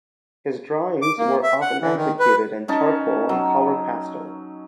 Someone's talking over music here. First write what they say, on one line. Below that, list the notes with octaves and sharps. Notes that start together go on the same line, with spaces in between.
His drawings were often executed in charcoal and colour pastels.
D6
A#3
E5
F#5
E3
D#3
B4
C#4 D#4 A5
F#3